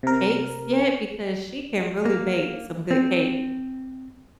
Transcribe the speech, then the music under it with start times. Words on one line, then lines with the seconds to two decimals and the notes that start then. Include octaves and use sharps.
cakes yet because she can really bake some good cakes."
0.03 C3 A#4
2.05 A#3
2.91 C4